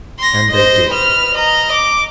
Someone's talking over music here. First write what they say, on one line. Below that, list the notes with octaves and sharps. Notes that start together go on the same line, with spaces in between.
And they did.
C6 A#6
C5 D#5
B4 F6
D#5 A#5
D6